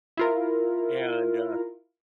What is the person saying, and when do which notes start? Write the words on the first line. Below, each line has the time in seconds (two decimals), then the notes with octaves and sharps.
and, uh,
0.17 E4 F4 A#4